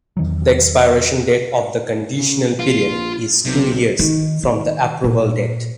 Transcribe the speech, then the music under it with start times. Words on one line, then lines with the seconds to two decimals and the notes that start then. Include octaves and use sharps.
The expiration date of the conditional period is two years from the approval date.
0.17 E2 D#3 F#3
2.18 C#3
2.59 A#1 F4
3.45 B1 C3
3.99 D#3
4.43 D#3
5.04 A#2